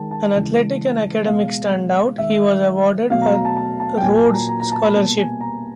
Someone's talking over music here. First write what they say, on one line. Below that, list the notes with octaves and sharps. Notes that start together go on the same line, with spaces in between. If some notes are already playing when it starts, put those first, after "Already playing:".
An athletic and academic stand-out, he was awarded a Rhodes Scholarship.
Already playing: D#3 G#3 A5
A5
C#3 E3 G#3
B2 G#3 F5
D#3 G#3 E5
B2 F#3 A3 F5
A#5
A#5
A5
A5
A5
G5
A#2 F#3 A#3 G#5
A5
A#5
A#5
A#5
A5
B5
B2 G3 A#3 A5
G#5
A#5